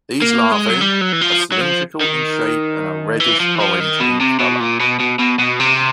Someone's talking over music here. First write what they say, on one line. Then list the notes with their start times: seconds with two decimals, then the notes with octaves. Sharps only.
These larvae are cylindrical in shape and are reddish orange in color.
0.22 A#3
0.52 G#3
0.70 F#3
0.81 G3
1.01 F#3
1.12 E3
1.21 F3
1.52 F#3
1.61 F3
2.01 D#3
3.20 E3
3.40 F3
3.55 E3
3.60 F3
3.80 D#3
4.00 B2
4.20 C3
4.39 B2
4.60 A#2
4.80 B2
5.00 B2
5.19 B2
5.39 B2
5.60 C3